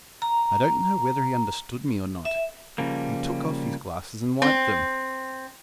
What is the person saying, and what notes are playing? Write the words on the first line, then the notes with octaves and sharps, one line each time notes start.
I don't know whether he understood me or not: he took of his glasses and wiped them.
A#5
E5
C#3 F3 G3 A#3
C4